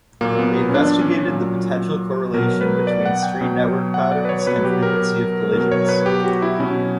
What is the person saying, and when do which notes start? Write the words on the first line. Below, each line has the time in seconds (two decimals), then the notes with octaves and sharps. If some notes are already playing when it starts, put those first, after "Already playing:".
They investigated the potential correlation between street network patterns and frequency of collisions.
0.21 A#2 F#3 A#3
0.39 B3
0.56 B3
0.69 C#4
0.74 D4
1.01 C#4
1.28 A#2 F#3
2.34 B2 F#3 A#4
2.61 B4
2.87 D5
3.06 F#5
3.23 G5
3.41 B2 F#3
3.94 F#5
4.12 D5
4.25 B4
4.29 C#5
4.47 B2 F#3 B4
4.65 G4
4.82 A#4
5.53 B2 F#3 A#4
5.72 C#5
5.89 B4
6.06 G4
6.24 F#4
6.42 E4
6.60 B2 F#3 C#4